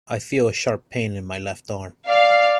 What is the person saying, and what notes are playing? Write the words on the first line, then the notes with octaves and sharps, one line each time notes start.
I feel a sharp pain in my left arm.
D5 F5